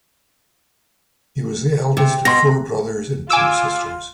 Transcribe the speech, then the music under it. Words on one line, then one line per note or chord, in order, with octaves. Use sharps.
He was the eldest of four brothers and two sisters.
C3
B2 C6 A#6
F4 G#5 D6 E6